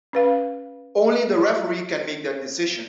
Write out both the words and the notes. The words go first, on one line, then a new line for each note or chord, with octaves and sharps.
Only the referee can make that decision.
C#4 B4 F5